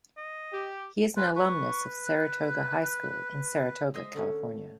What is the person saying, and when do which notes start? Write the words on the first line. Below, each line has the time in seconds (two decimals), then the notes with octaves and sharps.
He is an alumnus of Saratoga High School in Saratoga, California.
0.17 D#5
0.52 G4
1.17 C#4 F4 B4 F#6
1.36 B4 C#6
2.05 F#6
3.94 G#3 C5 D#5 E5
4.14 D3 A3 C#4